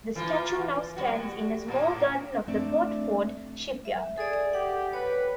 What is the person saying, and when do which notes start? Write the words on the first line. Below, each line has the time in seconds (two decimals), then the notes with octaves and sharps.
The statue now stands in a small garden of the Port Fuad shipyard.
0.16 E3 A#3 F4
0.96 G3 F#4
1.68 A2 A#3
2.48 A3 C4 D4 D5 E5
3.85 E5
4.18 G#4 A4 D5
4.53 G4 F#5
4.93 B4 C#5